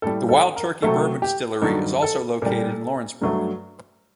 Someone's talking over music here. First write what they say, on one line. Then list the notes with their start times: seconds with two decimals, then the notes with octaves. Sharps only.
The Wild Turkey bourbon distillery is also located in Lawrenceburg.
0.02 A2 G3 A4
0.29 A4
0.56 A#4
0.82 C3 F#3 A3 A4
1.22 G4
1.62 G2 D#3 F#3 A4
2.02 A4
2.42 A#2 G3 A4
3.22 G2 F#3 A3